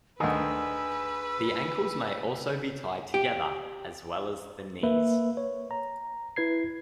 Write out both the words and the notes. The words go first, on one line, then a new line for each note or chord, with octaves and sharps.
The ankles may also be tied together, as well as the knees.
D2 D3 D#3 G#4 B4 E6
G4
A#3 B4 E5
C#5
A#5
E4 B4 G#6 C7